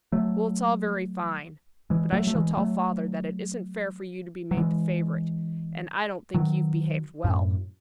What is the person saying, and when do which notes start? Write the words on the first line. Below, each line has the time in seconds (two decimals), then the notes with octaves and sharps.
"Well, it's all very fine, but I shall tell father that it isn't fair for you to be made the favourite, and I don't think you've behaved well."
0.12 F#3 A3
1.90 E3 G#3
2.12 F#3 A3
2.27 A3
2.35 E3 G#3
2.57 F#3 A3
4.51 F#3
4.57 E3 G#3
6.34 D#3 F#3
7.24 F#2 A2